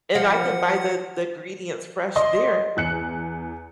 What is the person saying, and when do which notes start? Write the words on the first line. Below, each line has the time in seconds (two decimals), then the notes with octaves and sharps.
and I can buy the the ingredients fresh there
0.15 F3 F#5
2.16 D5 D#5 C6
2.77 E2 F#6 C#7